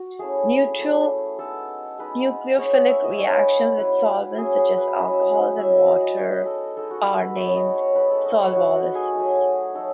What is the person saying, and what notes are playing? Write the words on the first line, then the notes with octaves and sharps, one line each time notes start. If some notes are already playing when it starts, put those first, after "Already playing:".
Neutral nucleophilic reactions with solvents such as alcohols and water are named solvolysis.
Already playing: F#4
A3 C#4 E4 G#4
A3 C#4 E4
G#3 B3 D#4 A4
G#3 B3 D#4 B4
G#3 B3 D#4 C#5
D#5
E5
D#5
G#3 B3 D#4 C#5
B4
C#5
F#3 C#4 E4 B4
F#3 C#4 E4 G#4
G#4
B4
F#3 C#4 E4 D#5
E5
D#5
F#3 C#4 E4 E5
D#5
D#5
D#5
G#3 B3 D#4 C#5
D#5
A4
G#3 B3 D#4 A4
F#4
B4
G#3 B3 D#4 C#5
D#5
C#5
G#3 B3 D#4 B4
A4
D#5
C#5
F#3 A3 D#4 F#4
F#4
G#4
F#3 A3 D#4
F#3 A3 D#4 A4